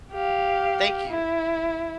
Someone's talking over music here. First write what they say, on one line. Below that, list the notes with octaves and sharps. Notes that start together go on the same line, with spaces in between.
Thank you.
G4 F5
E4